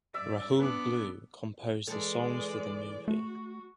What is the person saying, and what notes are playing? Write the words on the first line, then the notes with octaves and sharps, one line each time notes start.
Rahul Blue composed the songs for the movie.
G2 D5 E5 E6
B3 D4 B4 D6
E3 G#3 A4 D5
A3 F#4